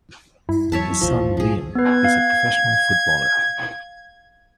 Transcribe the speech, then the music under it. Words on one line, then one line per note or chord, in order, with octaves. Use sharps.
His son, Liam, is a professional footballer.
G2 E4
E2 F#3 C#5 E5 A5
E1 A1 D#2 F3
B1 A2 F3 G#4
B3 B4 G#6
F5